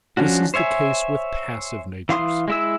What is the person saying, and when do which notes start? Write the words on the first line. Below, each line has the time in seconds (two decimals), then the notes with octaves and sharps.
This is the case with passive natures.
0.17 F3 C#4 D4 F#4
0.54 C5 C#5 E5 G#5
2.09 E3 F5 C6 D#6
2.48 G#3 E4 E6